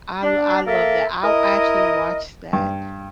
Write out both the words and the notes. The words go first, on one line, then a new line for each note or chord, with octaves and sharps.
I lo I love that I actually watched that.
D4
A#3 A4 A#4 E5
E4 A#4 D#5
G2